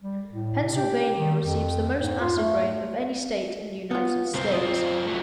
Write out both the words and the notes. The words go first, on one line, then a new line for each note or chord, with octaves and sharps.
Pennsylvania receives the most acid rain of any state in the United States.
G3
A2
C3
G4
D#3
F2
G#2
F4
A3
B3 F4
C2 F#2 C4
F4 D#5
F#3 A3